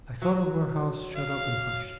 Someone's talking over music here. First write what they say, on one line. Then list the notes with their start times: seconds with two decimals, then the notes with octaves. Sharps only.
I thought of our house shut up and hushed.
0.22 F#3
1.16 F5